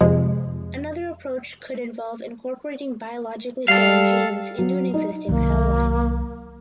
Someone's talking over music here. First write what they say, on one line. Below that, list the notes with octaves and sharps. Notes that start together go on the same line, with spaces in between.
Another approach could involve incorporating biologically foreign genes into an existing cell line.
F2 C3 F3 G#3
G3 A4 F5
F#3
D#4
C2 D#3 F#3 A#3